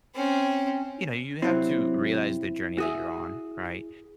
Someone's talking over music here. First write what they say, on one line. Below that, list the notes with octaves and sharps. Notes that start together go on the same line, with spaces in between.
you know, you have to realize the journey that you're on, right?
C4 C#4
C3 F#3 C4 E4
F#4 G#4 E5